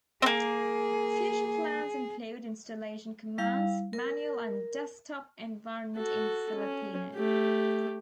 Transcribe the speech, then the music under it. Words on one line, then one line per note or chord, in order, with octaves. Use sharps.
Future plans include installation commands, manual and desktop environment in Filipino.
A#3 C4 G#4
G3 E4 F5
A#4
F#4 A4
C#4
A3 G4